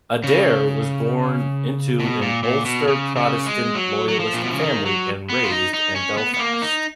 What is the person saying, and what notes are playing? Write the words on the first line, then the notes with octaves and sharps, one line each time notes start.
Adair was born into an Ulster Protestant loyalist family and raised in Belfast.
C#3
B2
A#2
A#2
B2
C#3
C#3
G#3
F#3
F#3
F3
A#2
B2
C#3
D#3
F#3
B3
F4
D#4
D#4
C#4
B3
B3
A#3
D#4